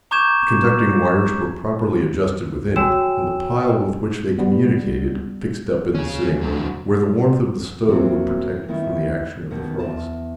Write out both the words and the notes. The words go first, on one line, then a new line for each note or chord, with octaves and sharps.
The conducting wires were properly adjusted within it, and the pile with which they communicated fixed up in the sitting-room, where the warmth of the stove would protect it from the action of the frost.
A#5 C#6 D6 G6 G#6 E7
F#4 C#5 G5 G#5 E6 E7
G3 B3
C#4 G#4
D3 F#3
E2 F#3 A#3 C4 C#4 G4
E3
D#3 B3 C#4 E4
B2 D#3 B3
E2 G#5 A5